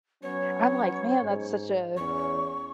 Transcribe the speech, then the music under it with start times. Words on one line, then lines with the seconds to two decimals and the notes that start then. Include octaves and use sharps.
I'm like, "Man, that's such a"
0.23 F#3 B3 C#4 C#5
1.21 G#2
1.97 E2 C#4 C#6